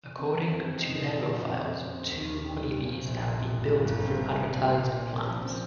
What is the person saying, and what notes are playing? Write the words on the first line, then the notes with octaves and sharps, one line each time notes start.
According to Aerofiles two Honeybees have been built from advertised plans.
C4
F3
F2
F2
D#4
A#2
F3
F3
F2
F2
C4
C4
D#2
D#2
D#3
G3
A#2
F3
A#1
A#2
F2
G1
G1
G1
C4
C2
A#2
C2
A#2
A#2
A#2
A#3
F3
C4